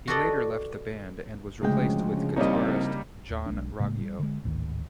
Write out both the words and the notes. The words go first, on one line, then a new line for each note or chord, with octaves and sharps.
He later left the band and was replaced with guitarist John Roggio.
F#4 G4 A4 B4 D5 D#5
D2 C#3 F3 G#3 G5
C2 G3 A#3 D#4 C#5 D#5
D#2
B1 G#3 D4
A2 C#3 G#3 A#3
G3
D3 G#3
A1 D2 G#2 D#3